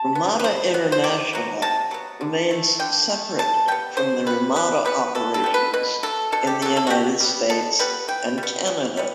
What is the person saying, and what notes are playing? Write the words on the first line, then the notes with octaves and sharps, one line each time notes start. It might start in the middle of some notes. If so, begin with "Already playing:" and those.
Ramada International remains separate from the Ramada operations in the United States and Canada.
Already playing: A5
B3
B4
E3 C5
B3
C5
C3 D5
F#3 B3
C3 A5
F#3 B3
D3
A3
D3 G5
A3
E3 A5
G3 B3 G5
E3 C5
G3 B3 B4
E3 B4
G3 B3 B4
E3 A4
A4
G3 B3
B4
B2 B4
F#3 A3 A4
B2 A4
G4
F#3 A3 A4
A4
F#4
B2 G4
G3 B3
B2 A4
G3 B3 B4
E3 G5
G3
B3
E3
G3 B3